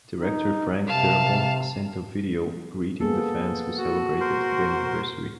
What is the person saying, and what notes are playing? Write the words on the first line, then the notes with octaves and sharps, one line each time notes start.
Director Frank Darabont sent a video greeting the fans who celebrated the anniversary.
D#4
C3 F5 A5
A#3 B3 G#4 A4
F#4
A#4 C5 C6